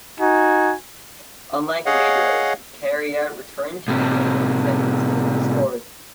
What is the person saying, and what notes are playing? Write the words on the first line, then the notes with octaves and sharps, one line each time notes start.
Unlike Lindros, Kariya returned to the game only ten minutes later and scored.
D#4 F#4 G#5
G#4 C#5 D#5 F5 F#5
A2 C3